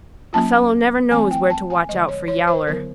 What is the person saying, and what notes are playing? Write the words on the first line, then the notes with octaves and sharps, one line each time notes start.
A fellow never knows where to watch out for Yowler.
F#3 A#3 C#4 F4 A5
E3 A3 C4 G#5
G5
A5
G#5
D3 F3 G#3 D#5
C#5
C#5
C5
D3 F#3 B3 E4 A#4